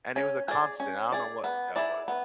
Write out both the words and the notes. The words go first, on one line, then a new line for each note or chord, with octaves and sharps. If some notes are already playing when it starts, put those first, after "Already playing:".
And it was a constant, I don't know what that was,
C#4
G#4 D5
C#4
G#4 D5
B3
E4 G#4 D5
B3